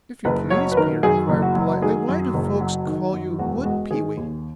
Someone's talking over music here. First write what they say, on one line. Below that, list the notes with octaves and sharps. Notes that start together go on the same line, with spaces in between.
"If you please," Peter inquired politely, "why do folks call you Wood Pewee?"
F#1 B4
F#3 C#5
B4
D#3 A#4
F#2 G#4
F#1
F#4
F#3
D#3 G#4
F#2
F#1
F#3
D#3
F#2
E1 F#4
G#3 F#4
D#3 G#4
D#2